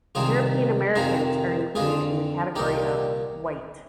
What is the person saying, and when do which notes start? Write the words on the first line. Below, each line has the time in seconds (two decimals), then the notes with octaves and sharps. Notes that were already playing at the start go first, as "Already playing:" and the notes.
European Americans are included in the category of "White".
0.15 C2 C3 D#3 F4 G#4
0.96 F2 C3 D#3 F4 G#4
1.75 F2 D3 F4 G#4
2.55 C2 A#2 D#4 G4